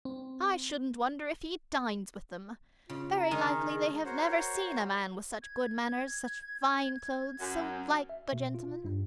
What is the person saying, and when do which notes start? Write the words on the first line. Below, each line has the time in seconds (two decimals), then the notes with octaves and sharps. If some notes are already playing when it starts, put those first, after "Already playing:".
I shouldn't wonder if he dines with them. Very likely they have never seen a man with such good manners, such fine clothes, so like a gentleman.
0.05 C4
2.90 C#3 F4
3.17 A#5
3.31 D#3 G#3
3.75 G#4
4.05 F#4 A#4 C5 C#5
5.42 G#6
7.40 F#2
8.09 E5
8.32 B2
8.54 F4
8.84 G2